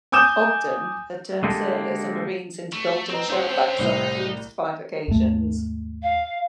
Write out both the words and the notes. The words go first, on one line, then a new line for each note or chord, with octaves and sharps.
"Ogden" had turned sailors and Marines into Golden Shellbacks on at least five occasions.
G#5 D6 D#6 G6 E7
D3 G#3 A#3 G4 A4
A3 C#6
C4 B4 D#5 A#5
D3 A3 C4 C#4 F5 C6
C4
C2 A2 D#4 G4
D#2 G#2 A3
F5